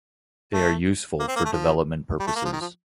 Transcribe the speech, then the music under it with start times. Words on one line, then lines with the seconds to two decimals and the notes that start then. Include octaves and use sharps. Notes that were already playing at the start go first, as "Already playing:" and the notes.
They are useful for development purposes.
0.53 A3
1.19 A#3
1.28 C4
1.36 A#3
1.45 A3
1.52 F3
2.20 G3
2.27 A3
2.35 A#3
2.45 F3
2.52 D#3
2.61 F3